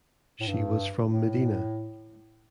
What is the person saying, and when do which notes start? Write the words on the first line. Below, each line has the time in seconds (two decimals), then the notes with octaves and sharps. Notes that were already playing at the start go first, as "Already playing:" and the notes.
She was from Medina.
0.40 A2
0.48 G2
1.08 A2